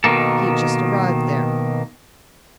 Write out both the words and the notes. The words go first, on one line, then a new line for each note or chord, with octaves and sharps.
He had just arrived there.
B2 D#3 A#3 A4